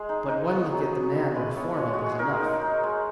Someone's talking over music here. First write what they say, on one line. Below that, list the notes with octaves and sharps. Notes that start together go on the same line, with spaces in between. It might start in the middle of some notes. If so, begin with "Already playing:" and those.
But one look at the man before me was enough.
Already playing: G#3 G#4
D#4
D#4
B3 F#4
G#4
F#3
G#4
B3
E4
G#3 B4
B3 C#5
G#3 C#5
F#4
G#3
G#4
D#4 A#4
D#4
D#4
G#3